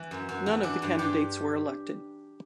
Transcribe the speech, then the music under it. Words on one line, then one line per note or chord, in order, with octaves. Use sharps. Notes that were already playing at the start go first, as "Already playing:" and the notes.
None of the candidates were elected.
Already playing: E3
F#2
F#2
E3
E3 D4
G2
G2 G4